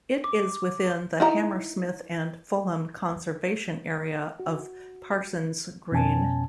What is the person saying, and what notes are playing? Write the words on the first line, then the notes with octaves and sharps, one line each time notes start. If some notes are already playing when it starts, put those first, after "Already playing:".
It is within the Hammersmith and Fulham Conservation Area of Parsons Green.
D6
D#4 E4 A#5
F#4
F2 B2 C#4 G#5 A5